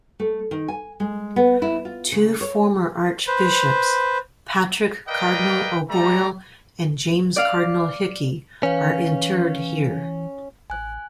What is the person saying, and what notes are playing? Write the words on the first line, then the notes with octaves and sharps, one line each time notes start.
Two former archbishops, Patrick Cardinal O'Boyle and James Cardinal Hickey, are interred here.
A3
D#3
G#5
G#3
B3
E4
F4
C#3
C#5
B4 C5
A#4 B4 D5 D#5 F5 G5
G3 A3 A#5
D5 F5
E3 C#4 B4 C#5 F5
A1 G#5 F#6